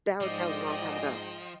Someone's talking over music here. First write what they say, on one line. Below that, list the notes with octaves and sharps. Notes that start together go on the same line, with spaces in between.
That wa that was a long time ago.
G#2 F3 D5 D#5 G5